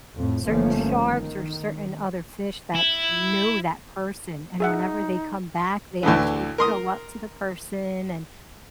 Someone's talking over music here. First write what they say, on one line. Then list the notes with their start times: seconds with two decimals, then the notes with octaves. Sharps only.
certain sharks or certain other fish that know that person, and whenever they come back, they actually go up to the person and
0.17 F2 A2
0.46 G1 F3 A3 A#3 C#4
1.01 D#3
2.76 E4
4.60 D#4 G#4 E5 F#5
6.03 D2 A2 D3 E3
6.58 A#4 C6 D#6